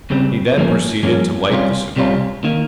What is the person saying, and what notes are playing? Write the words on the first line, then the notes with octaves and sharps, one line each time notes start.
He then proceeded to light the cigar.
C#2 C#3 G3 C4
G2 F3 A#3 C#4 G#4
G2 F3 A#3 C#4 G#4
C2 C3 G3 C#4 F4
C2 C3 G3 C#4 F4
D#3 A#3